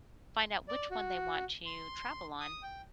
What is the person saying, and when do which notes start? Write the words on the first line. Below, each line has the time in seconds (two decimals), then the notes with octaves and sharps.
find out which one they want to travel on,
0.68 D5
0.91 F#4
1.66 C6
2.40 D#6
2.63 G5